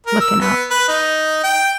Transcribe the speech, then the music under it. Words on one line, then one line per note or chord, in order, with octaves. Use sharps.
looking out.
A#4
E6
B3
B4
D#4
G5